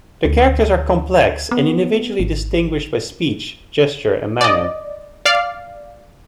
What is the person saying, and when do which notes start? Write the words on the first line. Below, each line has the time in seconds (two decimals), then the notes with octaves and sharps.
The characters are complex and individually distinguished by speech, gesture, and manner.
0.25 D2
1.51 B3
2.20 G#1
4.41 D5 D#5
5.25 D5 F5